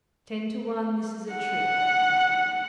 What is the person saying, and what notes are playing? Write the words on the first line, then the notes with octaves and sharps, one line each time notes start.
"Ten to one this is a trick."
F#5